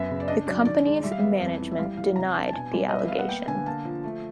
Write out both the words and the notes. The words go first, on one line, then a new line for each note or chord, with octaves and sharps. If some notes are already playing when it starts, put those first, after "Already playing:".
The company's management denied the allegation.
Already playing: F#2 B3 E5
C#3
D5
D4 D#5
F#3 D5
D#3 D5
G#3 D5
G3 E5
F5
B3 E5
F2
E3
E5
G3 F5
E3 F5
C3 A#5
D4 A5
A5
B2 G#5
G3
B3 D#5
E5
B3 F5
F#5
A#3 G5
D3 G#5
A#3 A5
F3
A3